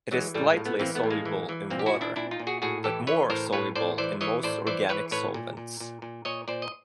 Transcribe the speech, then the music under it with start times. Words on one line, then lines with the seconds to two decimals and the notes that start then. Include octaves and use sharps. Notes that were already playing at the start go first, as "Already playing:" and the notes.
It is slightly soluble in water, but more soluble in most organic solvents.
0.11 E3 F#3 G#3
0.34 A2 G3 A3
0.50 G#3 A#3
0.57 A2
0.65 A3 B3
0.80 E3 A#3 C4
0.95 A3 B3
1.03 A2
1.10 G#3 A#3
1.25 E3
1.49 E3
1.70 A#2 A#3 C4
1.79 G4
1.86 E4 F#4
1.93 A#2
2.01 D4 E4
2.16 A#2 D4 E4
2.31 D#4 F4
2.40 A#2
2.47 F#4 G#4
2.62 A2 F#4 G#4
2.84 E3 G4 A4
3.07 E3 B4 C#5
3.30 A2 A#4 C5
3.53 A2 B4 C#5
3.76 A2 C5 D5
3.98 E3 C5 D5
4.21 E3 C#5 D#5
4.43 A2 C5 D5
4.67 E3 C5 D5
4.89 E3 B4 C#5
5.11 A2 B4 C#5
5.34 A#2
5.57 A#2
5.81 A#2
6.02 A#2
6.25 A#2 C#5 D#5
6.48 A#2 C5 D5
6.62 D#5